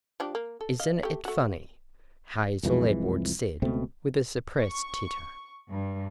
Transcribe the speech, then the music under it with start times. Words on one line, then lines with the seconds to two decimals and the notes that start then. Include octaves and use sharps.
"Isn't it funny!" Hazel Edwards said with a suppressed titter.
0.20 F3 D4 G4
0.35 A#3
0.61 A4
0.80 D#5 F5
1.03 A3 G4
1.25 A3 F#4
2.63 C2 F2 E3 G#3
3.62 C#2 B2 A3 C4
4.59 C#6
5.70 G2